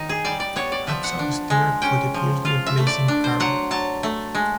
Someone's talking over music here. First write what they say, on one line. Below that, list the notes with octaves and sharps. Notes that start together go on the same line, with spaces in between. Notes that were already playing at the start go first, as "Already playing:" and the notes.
"Hudson" steered for the fiercely blazing carrier.
Already playing: D#3 D#4
G#4
G3 D5
D5
B3 C#5
D5
F3 E5
F#5
D4
G#3
C#4 G5
F3
F4 F5
E5
A3
D5
D4
C5
F#3 F#5
F#3 A5
A3
G#3